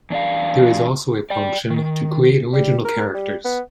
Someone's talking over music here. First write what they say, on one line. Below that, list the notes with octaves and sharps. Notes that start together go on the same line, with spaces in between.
There is also a function to create original characters.
E2 D4 D5 F5
D5 G5
D#3
G3
A#4
G3
B3